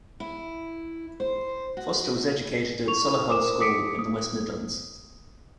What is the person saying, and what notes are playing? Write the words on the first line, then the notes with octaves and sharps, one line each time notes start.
Foster was educated at Solihull School, in the West Midlands.
E4
C5
F#4
E4 C#6 F7
A#4 C5 D6 D#6 E7
D6 D#6 B6 C#7 D7
D#6